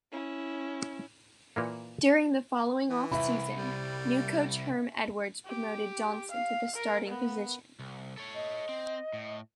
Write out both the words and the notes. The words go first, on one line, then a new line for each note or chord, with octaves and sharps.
During the following off-season, new coach Herm Edwards promoted Johnson to the starting position.
C#4 E4
A#2 E3 A#3
E3
C2 E5 B5
G3
G4
F5
A#4
B3
C2
A4 C#5
D#5
C4
A2